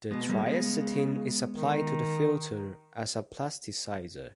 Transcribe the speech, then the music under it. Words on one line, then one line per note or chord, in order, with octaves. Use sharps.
The triacetin is applied to the filter as a plasticizer.
B2 G#3 B3
B3
C#3 G3 A#3
G#3 B3
D#3